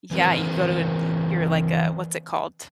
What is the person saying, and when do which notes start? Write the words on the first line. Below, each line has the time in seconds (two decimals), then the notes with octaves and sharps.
yeah, you go to a y you're, like, a what's it called?
0.11 E3 C4 A#4 C5